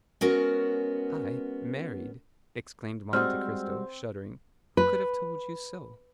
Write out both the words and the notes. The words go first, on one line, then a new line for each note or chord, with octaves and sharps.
"I, married?" exclaimed Monte Cristo, shuddering; "who could have told you so?"
G#3 B3 C#4 F#4 A#4
G3 G#3 C4 F#4 F6
B4